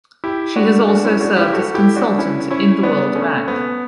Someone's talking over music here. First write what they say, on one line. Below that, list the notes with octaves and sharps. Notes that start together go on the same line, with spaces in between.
She has also served as consultant in the World Bank.
E4 G4
D4 F#4
D4 F#4
C#4 E4
D4 F#4
E4 G4
F#4 A4
E4 G4
D4 F#4
C#4 E4
C#4 E4
B3 D4
A3 C#4
B3